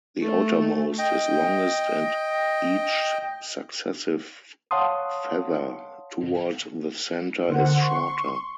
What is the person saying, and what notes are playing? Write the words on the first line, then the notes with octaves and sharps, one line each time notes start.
The outermost is longest and each successive feather toward the center is shorter.
A3
D#5 G5
C#5 F5 F#5 A5 C6 D#6
D3 A#3 C5 F#5
C6 C#6